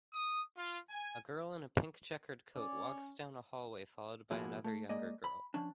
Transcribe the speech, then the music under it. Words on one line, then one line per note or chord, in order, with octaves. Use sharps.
A girl in a pink checkered coat walks down a hallway followed by another younger girl.
D#6
F4
G#5
C#4 D5
B2 F3 A#3 E4 F#4 G#4
A3
G#3 A#3 D5 D#5
B5
F3 C#4 D4